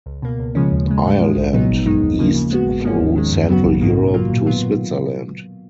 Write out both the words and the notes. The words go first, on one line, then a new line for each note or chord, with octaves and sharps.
Ireland east through Central Europe to Switzerland.
C#2
B2 A#3
C#2
C#3 F3 G#3 C#4
D#2
C#3 G#3
G#2
F3 G#3
B1
A#2 F#3 B3 D#4
G#1
F#2 D#3 G#3 D#4
D#2
C#3 F3 A#3
C#3
G#3 B3 F#4
G#1
G#2 F3 A#3 C#4
D#2
D#3 G#3
F#2
C#3 F#3 B3 F#4
A#1
G#2 D#3 A#3
B2
F#3 A#3 F4
A#2
F#3 B3 F4